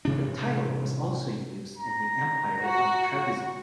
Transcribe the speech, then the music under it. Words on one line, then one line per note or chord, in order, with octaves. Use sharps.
The title was also used in the Empire of Trebizond.
A1 C3 D4
A#5
F#4